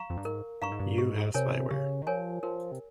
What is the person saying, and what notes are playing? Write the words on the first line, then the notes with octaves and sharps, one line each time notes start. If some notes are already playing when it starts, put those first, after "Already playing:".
You have spyware!
Already playing: F5 A#5 C#6
F2
G2
G#2 A#4
G2 F5 A#5 C#6
G#2
G2
G#2 G4
C3 A#4 C#5 G#5
C#3 G4
D#3
F3 A#4 C#5 G#5
F3 A#4
C3